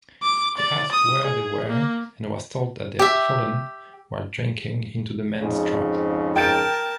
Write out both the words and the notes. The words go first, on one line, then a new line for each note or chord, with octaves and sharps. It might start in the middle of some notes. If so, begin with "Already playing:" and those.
He asked where they were and was told that they had fallen, while drinking, into the men’s trap.
D6
D5
D#6
G#4
A#3
G4 E5
F2 G#2 C#3
A#4 G5 A5 G6 D7